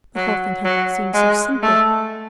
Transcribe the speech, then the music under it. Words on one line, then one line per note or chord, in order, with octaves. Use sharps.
The whole thing had seemed so simple.
F#3
F#3
G#3
A3